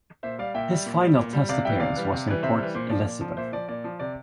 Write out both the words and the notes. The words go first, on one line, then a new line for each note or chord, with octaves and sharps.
His final test appearance was in Port Elizabeth.
A#2 C5 E5
G3 D5 F5
A#2 E5 G5
G3
A#2
G3
A#2
G3
C3 D5 F5
E3 G3 E5 G5
C3 D5 F5
E3 G3
C3
E3 G3
C3 C5 E5
E3 G3
A#2 C5
F3 D5
A#2
F3
A#2 C5 E5
F3 D5
A#2 D5
F3
C3 D5